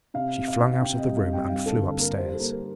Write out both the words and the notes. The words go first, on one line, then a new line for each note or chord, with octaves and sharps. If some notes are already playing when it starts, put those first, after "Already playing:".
She flung out of the room and flew upstairs.
C3 F5
C3
F5
C3
F5
C3 G5
D#5
G3
F5
C3
G5
G2 F5
A4
D3
A4
A#3
A#4
G3 C5
G4
A4
A#3
A#4